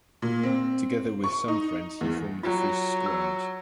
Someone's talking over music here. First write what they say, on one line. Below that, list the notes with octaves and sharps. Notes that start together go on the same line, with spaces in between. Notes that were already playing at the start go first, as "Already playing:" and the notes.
Together with some friends he formed the first squad.
A#2
C4
C#6
D#4
E2
F#3 F4
E6